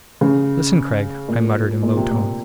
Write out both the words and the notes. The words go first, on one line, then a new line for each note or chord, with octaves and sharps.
"Listen, Craig," I muttered, in low tones.
C#3
A#2
A#2
C3
A#2